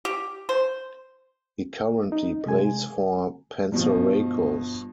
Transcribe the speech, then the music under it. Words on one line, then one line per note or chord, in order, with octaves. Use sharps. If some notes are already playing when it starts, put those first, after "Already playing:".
He currently plays for Panserraikos.
G4
C5
D#4
C3 G#3 G#5
G2 B2 F3